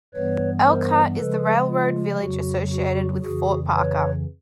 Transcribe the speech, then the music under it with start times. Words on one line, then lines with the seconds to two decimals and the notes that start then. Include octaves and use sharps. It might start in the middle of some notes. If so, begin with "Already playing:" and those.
Elkhart is the "railroad village" associated with Fort Parker.
0.14 G2 E3 G3 B3 B4 C#5
0.65 A#4 C5
1.17 C#3 F3 G#3 A4 B4
1.68 F4
2.19 F2 C#3 F#3 F#4
2.71 F#4
3.22 F2 C#3 E3 F#4 G#4
3.74 B4 C#5